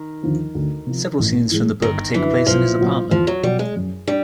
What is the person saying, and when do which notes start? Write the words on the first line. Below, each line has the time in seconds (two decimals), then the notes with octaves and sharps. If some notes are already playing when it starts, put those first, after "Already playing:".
Several scenes from the book take place in his apartment.
Already playing: D#3
0.23 D#2 D3 F3
0.55 D2
0.87 C3 F3
1.19 A1
1.51 A2 E3 G#3
1.82 G1 D#3
2.14 F#2 D3 E3 F#3
2.47 B1 F3
2.79 A#2 F#3 A#3
3.11 E2 F3
3.27 F#3
3.43 B2 F#3 G3
3.59 G#3
3.76 F#2
4.07 G3 D4